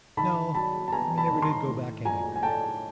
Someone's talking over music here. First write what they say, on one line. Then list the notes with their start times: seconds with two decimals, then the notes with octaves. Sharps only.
No, we never did go back anywhere.
0.17 D#3 A5 B5
0.54 F#3 A5 B5
0.88 A5
0.92 B3 G#5 A#5
1.18 A5 B5
1.30 D#3
1.42 A#5 C6
1.68 A2
2.05 F3 G#5 A#5
2.36 G#5
2.43 A3 G5 A5